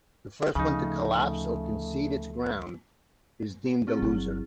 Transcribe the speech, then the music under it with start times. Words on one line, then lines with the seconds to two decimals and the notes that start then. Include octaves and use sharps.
The first one to collapse or concede its ground is deemed the loser.
0.55 D2 C#3 F3 A3 D#4
3.87 C4 E4 G#4
4.02 G1 D3 F#3